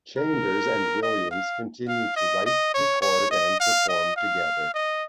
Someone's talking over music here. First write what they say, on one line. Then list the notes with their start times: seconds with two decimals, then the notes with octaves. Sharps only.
Chambers and Williams continue to write, record and perform together.
0.17 A#4
1.03 D#5
1.31 F5
1.88 F5
2.16 D#5
2.46 D#5
2.74 C#5
3.02 C#5
3.31 D#5
3.60 F5
3.88 D#5
4.16 F5
4.74 D#5